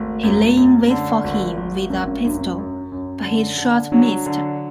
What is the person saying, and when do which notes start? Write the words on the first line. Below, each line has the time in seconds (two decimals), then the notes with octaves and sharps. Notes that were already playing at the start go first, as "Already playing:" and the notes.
He lay in wait for him with a pistol, but his shot missed.
Already playing: G#1 A3
0.23 F#2
0.57 F#2
0.90 D3
1.24 G#1
1.57 G#1
1.90 G#1 C#4
2.07 C#4
2.24 F#2 D4
2.41 C#4
2.58 F#2
2.92 F#2
3.25 D3
3.58 D3
3.92 F#3 D4
4.26 D3